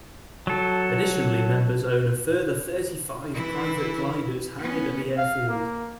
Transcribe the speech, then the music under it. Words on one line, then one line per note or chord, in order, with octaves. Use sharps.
Additionally members own a further thirty five private gliders hangared at the airfield.
F#3 A4
E3 E4
B3 C#4
F5
A#3